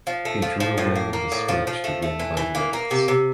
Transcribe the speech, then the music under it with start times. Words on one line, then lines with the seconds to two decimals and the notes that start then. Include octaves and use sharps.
He drew away in the stretch to win by lengths.
0.07 F3
0.25 A3
0.42 F3
0.60 F3
0.78 A2
0.95 A#3
1.13 A#3
1.32 A2
1.49 F3
1.67 F3
1.84 A3
2.02 A3
2.20 E3
2.37 E3
2.55 A#3
2.73 A#3
2.91 C3
3.08 C3